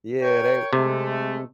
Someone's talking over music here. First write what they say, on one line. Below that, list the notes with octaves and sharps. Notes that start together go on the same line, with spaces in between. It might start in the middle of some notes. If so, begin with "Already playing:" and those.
Yeah, they,
A#4 C#5 G5
C3 G#3 A3